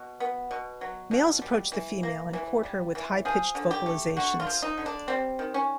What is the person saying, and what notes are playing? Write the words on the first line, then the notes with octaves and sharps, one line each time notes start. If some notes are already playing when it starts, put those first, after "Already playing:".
Males approach the female and court her with high pitched vocalizations.
Already playing: B2
B3
B2
F#3
B2
G3
E3
A#3
E3
G3
E3
F3 G#4
D3
G4
A3
D3 F#4
F4
F3
D#4
D3
D4
G3 C4
D#3
C#4